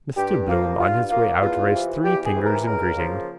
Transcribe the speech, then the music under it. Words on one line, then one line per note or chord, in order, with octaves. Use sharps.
Mr Bloom on his way out raised three fingers in greeting.
G2 G4
F3 A#3 F4
G2 F4
F3 A#3 F4
E2 F4
C3 E3
E2 G4
G#4
C3 E3
A#4
C#2 A#4
C#3 F3 A#3